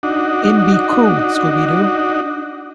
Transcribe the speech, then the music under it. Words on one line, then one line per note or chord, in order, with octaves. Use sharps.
In Be Cool, Scooby-Doo!
D4 D#4 F#4